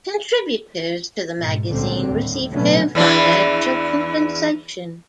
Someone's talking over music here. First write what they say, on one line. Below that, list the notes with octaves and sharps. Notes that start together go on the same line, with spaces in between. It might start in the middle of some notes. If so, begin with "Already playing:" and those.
Contributors to the magazine receive no financial compensation.
G#2 B2
C#2 A#2 D3 G3 C4
D#2 A2
B2 D3 F#3 A3 B3 C#4
E2 E3 D4